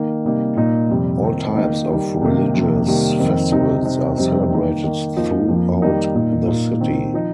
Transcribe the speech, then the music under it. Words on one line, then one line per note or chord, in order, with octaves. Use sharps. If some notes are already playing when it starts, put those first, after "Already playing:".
All types of religious festivals are celebrated throughout the city.
Already playing: D#3 A#3 D#4
C3 G3 A#3 D#4
A#2 A#3 D#4
F2 C3 G3
D#3 C4 D#4
D#3 A#3 D#4
D#3 G3 D#4
C3 D#3 A#3 D#4
F2 C3 D#3 A#3
C3 D#3 G3 A#3
F2 D#3 C4 D#4
C3 G3 C4 D#4
C3 G3 C4 D#4
F2 C3 G3 C4 D#4
D#3 A#3 D#4
D#3 A#3 D#4
F2 F3 A#3 D#4
F2 F3 A#3
D#3 G3 A#3 D#4
A#2 A#3 D#4
A#2 A#3 D#4
D#3 C4 D#4
F3 D#4